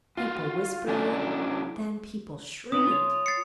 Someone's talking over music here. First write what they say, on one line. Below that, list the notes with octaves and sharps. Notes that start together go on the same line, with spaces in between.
People whispered--then people shrieked.
F4 F#4
F#3 C#4 D4 E4 D5
C4 C#4 B4 D#6
F4 C#5
A6 C7 C#7